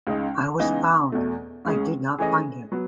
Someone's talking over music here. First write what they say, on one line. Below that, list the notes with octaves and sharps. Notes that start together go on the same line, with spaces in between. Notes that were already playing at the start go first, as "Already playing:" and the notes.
I was found; I did not find him.
C#2 C#3 G#3 D#4
C#2 C#3 E3 B3 D#4
E2 B2 A3
C#2 C#3 G#3 C#4 G#4
E3 A3 C#4 G#4 D#5
F#3 B3